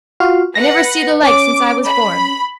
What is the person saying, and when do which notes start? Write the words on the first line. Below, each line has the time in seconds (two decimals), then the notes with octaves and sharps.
I never see the like since I was born.
0.20 F4 F#4 F5
0.55 B4 F#5 A#6
1.23 C#4 D6
1.85 B5